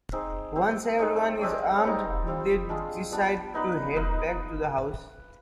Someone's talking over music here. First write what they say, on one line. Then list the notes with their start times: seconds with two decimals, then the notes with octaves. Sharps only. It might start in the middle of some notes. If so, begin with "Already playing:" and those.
Once everyone is armed, they decide to head back to the house.
0.12 C4 D#4 G#4 C5
0.56 C4 G4 C5
0.99 G#3 C4 D#4
1.41 G#3 C4 G4 D5
1.84 G3 C4 D#4
2.27 G3 C4 F4
2.69 G#3 D4 F4 G#4
3.12 G3 B3 D4
3.54 B3 D#4 B4 D5
3.96 D#4 B4 F5